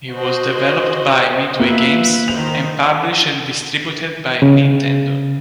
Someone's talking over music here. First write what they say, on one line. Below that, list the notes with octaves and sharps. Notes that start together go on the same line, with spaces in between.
It was developed by Midway Games and published and distributed by Nintendo.
F#4 C5 D#5
A#3 F4 B4 E5
D#3 C5 F7
C#3